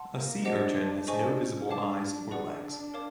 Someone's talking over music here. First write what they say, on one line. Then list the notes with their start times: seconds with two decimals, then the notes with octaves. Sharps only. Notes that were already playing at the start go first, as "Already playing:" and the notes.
A sea urchin has no visible eyes or legs.
Already playing: F#5 A5 C6
0.14 A#3
0.45 D4 G4 C5 D#5 F#5
1.07 D4 G#4 C5 D#5 G#5 C#6
1.38 C#4
1.69 D4 C#5 F5 A5 D6
2.31 D4 G#4 B4 D5 F#5
2.94 A#4 C#5 F5 A5 D6